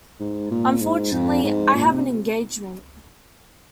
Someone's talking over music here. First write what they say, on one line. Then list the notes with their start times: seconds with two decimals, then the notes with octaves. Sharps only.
Unfortunately I have an engagement.
0.20 G#2
0.51 A#2
0.81 G#2
1.12 F2
1.44 G#2
1.74 A#2
1.90 C3